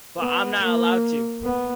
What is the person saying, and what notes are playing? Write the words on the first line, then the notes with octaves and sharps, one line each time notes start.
But I'm not allowed to.
B3
A#3
B3